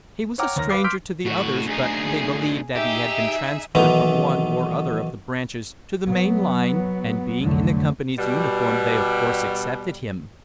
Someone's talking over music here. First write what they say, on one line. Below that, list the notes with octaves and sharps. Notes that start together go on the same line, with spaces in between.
He was a stranger to the others, but they believed that he had been transferred from one or other of the branches to the main line, and being in the company's uniform they, of course, accepted him.
C#5 F#5 G5 A#5 D6 F6
D#2 C#5 A#5 F6 A#6
B4 F5 B5 D6 C7
C6 D6 F6 G6 B6 D7
A2 F#4
D2 D#4 G#4 C7
D#4 G4 G#4 E5
B1 D#3 E3 B3 A#5
F#3 B3
C2 F2 D3 F#3 A3
B2 G3